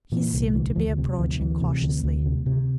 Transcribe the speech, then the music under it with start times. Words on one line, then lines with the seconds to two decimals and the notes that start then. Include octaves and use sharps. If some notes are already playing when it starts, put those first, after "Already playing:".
He seemed to be approaching cautiously.
0.12 A#2 E3
0.33 C2
0.54 D2 E3
0.76 D2 D3 F3
0.98 C3
1.18 D2 E3
1.31 F3
1.39 D2 E3
1.61 C3
1.82 D2
2.04 D2
2.25 C3
2.46 C3